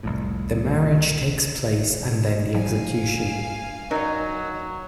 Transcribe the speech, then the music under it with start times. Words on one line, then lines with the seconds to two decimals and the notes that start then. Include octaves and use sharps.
The marriage takes place and then the execution.
0.03 C2 F2 A2
2.54 F3 G3 F5 G#5
3.28 D7 E7
3.91 F#3 D#4 A#4 D5